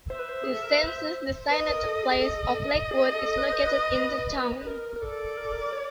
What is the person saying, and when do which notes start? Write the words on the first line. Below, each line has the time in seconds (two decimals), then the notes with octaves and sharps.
The census-designated place of Lakewood is located in the town.
0.10 C5 E5
0.19 B4
0.29 C5
0.44 G#4
0.52 A4
0.62 A#4
0.71 B4
0.81 C5
1.51 B4 D#5
1.69 A#4
1.86 A4
2.03 G#4
2.20 A4 D#5
2.91 G#4
3.15 A4
3.38 B4
3.52 C5
3.65 B4
4.32 B4
4.67 A#4
4.96 A#4
5.02 A4 D5
5.37 A#4
5.45 A4
5.52 A#4
5.73 C#5